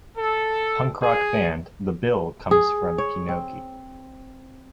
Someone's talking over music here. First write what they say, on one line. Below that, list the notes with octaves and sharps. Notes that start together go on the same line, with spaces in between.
Punk rock band The Bill comes from Pionki.
A4
G#4
G#4
C#5
C4